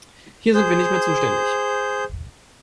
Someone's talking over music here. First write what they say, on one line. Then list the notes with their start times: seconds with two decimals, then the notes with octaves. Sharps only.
Hier sind wir nicht mehr zuständig.
0.54 G#4 C5 G6